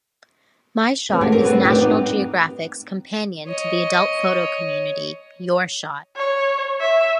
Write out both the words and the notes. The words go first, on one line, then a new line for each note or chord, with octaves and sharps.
My Shot is National Geographic's companion to the adult photo community "Your Shot".
C#3 E3 C4 C#5
G#3 A3 C#4 D4 F#4 G4
C4 G#4 A#4
C4 D4 F#4 B4 C#5
C4 D4 D#4 G4 D5 G5
B3 C4 D#4
C#5 D#5
C#5
E5